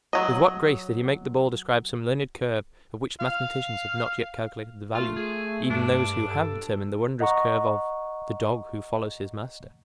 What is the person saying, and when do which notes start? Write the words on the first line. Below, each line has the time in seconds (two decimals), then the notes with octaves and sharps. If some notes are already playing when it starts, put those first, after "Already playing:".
With what grace did he make the ball describe some learned curve of which mathematicians have not yet calculated the value--even those who have determined the wondrous curve of "the dog who follows his master!"
0.13 F#3 D#5
3.20 F5
4.95 A3 F4
5.16 G#4
5.70 G2 D4
6.25 A4
7.20 D#5 F#5 A#5 C#6